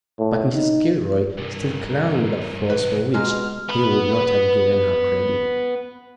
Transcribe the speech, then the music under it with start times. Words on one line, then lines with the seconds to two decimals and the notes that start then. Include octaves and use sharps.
But Mrs. Gilroy still clung with a force for which he would not have given her credit.
0.19 A2
0.54 D#4
1.38 C2 G2 A#4
2.70 B4
3.14 B2 G#3 F4 A#5 F6
3.69 B3 B5